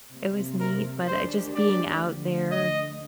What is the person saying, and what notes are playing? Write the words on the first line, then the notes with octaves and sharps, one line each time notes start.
It was neat. But I just being out there,
C3 G3 A#3
A#4
D#3 G#3 D4 G4 C5
D5
D2 D3 F3
D#5